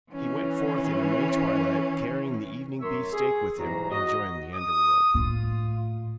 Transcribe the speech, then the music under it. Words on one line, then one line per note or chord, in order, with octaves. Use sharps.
He went forth in a May twilight, carrying the evening beefsteak with him, and joined the underworld.
E3 C#4
F#2 A2 A#4 C#5 E5 C6
G#4
G#2 B2 E3 F#3 G3 A#5
F#4 D#5
D#6
A2 F4